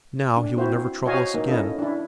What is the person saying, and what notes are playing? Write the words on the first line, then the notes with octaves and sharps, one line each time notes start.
Now he will never trouble us again.
D4
C4 E4 F#4 C5
F#4 C5 C#5 D#5 F5 G#5
A#3 D#4
C#4 E4 A4 D#5
D4 E4